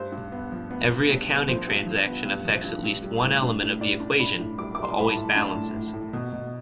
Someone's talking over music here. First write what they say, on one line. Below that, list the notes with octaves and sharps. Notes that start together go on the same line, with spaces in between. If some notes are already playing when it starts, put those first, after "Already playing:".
Every accounting transaction affects at least one element of the equation, but always balances.
Already playing: G2 C5
G2
B3
F3
B3
B3
G2
B3
F3 C5
G2
F3
B3
G2
F3
G2
G2
G3
A2
D4
A2
A2 D5
D4
D4 B5
A2
G3 D6
G3 D6
C6
A2 B5
A5
A2
D4 A5
A2
A2
A2
B2
B2